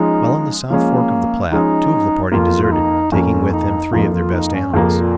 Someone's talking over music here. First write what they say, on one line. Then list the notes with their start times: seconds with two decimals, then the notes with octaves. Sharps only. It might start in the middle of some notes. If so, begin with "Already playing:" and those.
While on the south fork of the Platte, two of the party deserted, taking with them three of their best animals.
Already playing: F3 G#3 C#4 D#4
0.70 F3 G#3 A#3 C#4
1.51 F3 G#3 C#4 D#4
2.32 F2 F3 A#3 F4
2.63 F4
2.72 D#4
3.12 F2 F3 A#3 C#4
3.53 D#4
3.93 F2 F3 A#3 D#4
4.13 F4
4.34 D#4
4.54 C#4
4.73 F2 C#3 F3 A#3
5.01 A#2